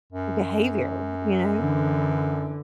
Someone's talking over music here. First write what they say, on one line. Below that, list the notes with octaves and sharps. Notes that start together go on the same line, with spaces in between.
behavior, you know?
F#2
D3 E3